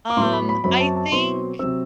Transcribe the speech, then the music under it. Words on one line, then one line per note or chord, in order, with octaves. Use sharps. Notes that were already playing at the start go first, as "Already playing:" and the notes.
Um, I think
D6
A2 F#3 B3 C6
B5
B5
F#2 F#3 C4 B5
A5
A5
B2 F#3 C4 C6
C3 F#3 C4 E6